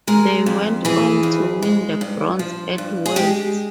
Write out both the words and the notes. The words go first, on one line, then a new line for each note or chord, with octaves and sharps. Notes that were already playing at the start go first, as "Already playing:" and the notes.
They went on to win the bronze at Worlds.
G#3 A#4
F2
E3 G#4
F2
G#3
G2
F3
G2
G#4
G#3 G4